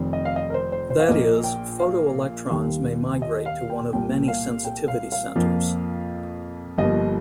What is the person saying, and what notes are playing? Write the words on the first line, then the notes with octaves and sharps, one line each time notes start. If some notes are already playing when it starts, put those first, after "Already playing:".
That is, photoelectrons may migrate to one of many sensitivity centers.
Already playing: F1 F2 D#3 C4
D#5
F5
D#5
A#4
C5
C5
C5
F5
A#1 A#2 A#3 D#5
G5
F5
D#2 D#3 G3
D#5
F5
G5
C2 A#2 A#3 G5
F5
G5
F5
F5
F2 F3 A#3
G1 G2 F3 A#3 D#5